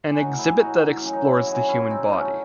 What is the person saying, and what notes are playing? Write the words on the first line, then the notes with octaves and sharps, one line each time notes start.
An exhibit that explores the human body.
G#4
A2 E3 D#4 F#4
E4 G#4
G#4
A2 E3 D#4 F#4
F#2 D#3 F#3 C#4
D#4
E4
F#4
F#2 D#3 F#3 E4 G#4
C#4 E4
A2 F#3 C4 D#4
A3 C#4